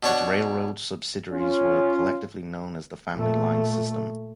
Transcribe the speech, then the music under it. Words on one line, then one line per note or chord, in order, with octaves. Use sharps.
Its railroad subsidiaries were collectively known as the Family Lines System.
B2 D4 C#5 F#5
C#4 F4
A#2 A3